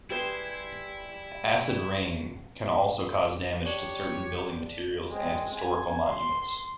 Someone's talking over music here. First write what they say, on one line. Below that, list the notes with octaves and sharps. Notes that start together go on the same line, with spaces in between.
Acid rain can also cause damage to certain building materials and historical monuments.
G3 E4 G4 G#4 B4 C5
D4 G4 C#5
G#3 C4
G#5
C6